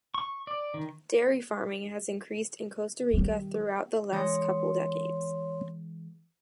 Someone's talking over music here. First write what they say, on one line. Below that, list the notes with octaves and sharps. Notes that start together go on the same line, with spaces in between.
Dairy farming has increased in Costa Rica throughout the last couple decades.
C#6
D5
D#3
D#3 G3
E3 G#3 C#5 D#5 C6